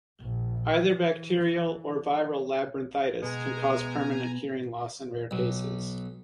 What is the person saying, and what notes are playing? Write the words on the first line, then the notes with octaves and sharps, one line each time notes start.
Either bacterial or viral labyrinthitis can cause permanent hearing loss in rare cases.
A#1
E3
B2 G#3 B3 G#4 G#5 A#5
B1